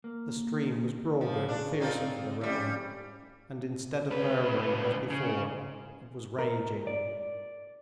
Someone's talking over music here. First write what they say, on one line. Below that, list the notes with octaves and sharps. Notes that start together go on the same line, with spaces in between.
The stream was broader and fiercer for the rain, and instead of murmuring as before, it was raging.
A#3
C#3 F3
D4
C4 D#4 F4
F2 G3 C#4
C#2 B4
C#3
A#4
D5